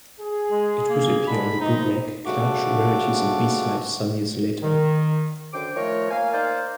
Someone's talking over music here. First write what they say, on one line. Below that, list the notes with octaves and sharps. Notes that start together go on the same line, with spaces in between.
It would appear on the bootleg 'Clutch: Rarities and B-Side' some years latter.
G#4
G#3
A#3
D3 G#3 B5
C3 D#4 C5 D#5
G2 C#3 A3 F#4 D6
D#3
F#2 D3 C5 G5 D6
D#3 F3 A3 A#4 C#5
A#3 F5 G#5
A#3 D#4 A#4 C5 D5 F5